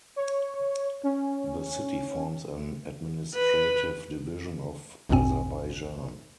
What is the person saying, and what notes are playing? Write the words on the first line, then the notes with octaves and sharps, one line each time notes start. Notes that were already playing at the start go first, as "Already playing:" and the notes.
The city forms an administrative division of Azerbaijan.
C#5
C#4
B4
A#1 E2 G2 B2 C4 G#5